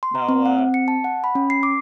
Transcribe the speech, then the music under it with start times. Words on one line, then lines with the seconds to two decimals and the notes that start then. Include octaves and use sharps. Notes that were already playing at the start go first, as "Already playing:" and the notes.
No, uh,
0.03 C6
0.15 A#5
0.29 C4
0.46 F#5
0.58 C4
0.74 C#7
0.88 A5
1.04 F#5
1.24 B5
1.35 C#4
1.50 C7
1.63 D6